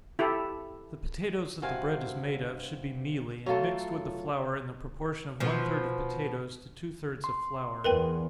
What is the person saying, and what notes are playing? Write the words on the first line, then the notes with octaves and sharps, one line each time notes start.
The potatoes that the bread is made of should be mealy, and mixed with the flour in the proportion of one-third of potatoes to two-thirds of flour.
E4 G4 A4
G2 C3 F#4 F5 G#5
F#3 A3 F4 A4
B2 F3
C6
E2 A#4 B4 G5